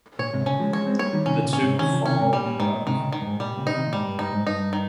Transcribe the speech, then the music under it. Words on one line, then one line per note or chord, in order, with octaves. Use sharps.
The two fall in love.
A#2 C#5
G#2 C3
A#2 C#3 C#4
F3 G#3
F3 G#3 C#5
G#3 C4
G3 A#3 C#5
D#3 G3
C3 D#3 C#4
A#2 C#3
C#4
G#2 C3
C3 D#3 C#4
C#3 F3
C3 D#3 C#4
G#2 C3
A#2 G3
A#2
G#2 D#3
A#2
G#2 C3 D#3
A#2 C#3
D#3
G2
G#2
A#2 G3
A#2 C#3
D#4
C3 D#3
A#2
G#2 G3
G2
G2 D#4
G#2
G2 D#4
D#3